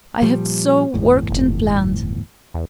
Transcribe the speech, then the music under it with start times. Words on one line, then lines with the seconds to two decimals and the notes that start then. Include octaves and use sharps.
I have so worked and planned.
0.22 A#2 F3 G3
0.94 G1 E2 A2
1.30 F1
2.54 E2